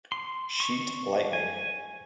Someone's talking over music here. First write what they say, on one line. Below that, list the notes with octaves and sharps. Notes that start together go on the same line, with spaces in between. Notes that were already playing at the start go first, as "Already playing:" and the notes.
Sheet lightning.
C6
C#6
G#5